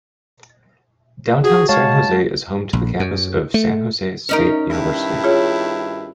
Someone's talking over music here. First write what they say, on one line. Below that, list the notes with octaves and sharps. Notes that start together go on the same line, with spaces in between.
Downtown San Jose is home to the campus of San Jose State University.
F#4 G#4
G#3 C#5 F5 A5
A#1
F#2
A3
C#4 D#4 A#4
G2 D#3 E4
F4 G#4 C#5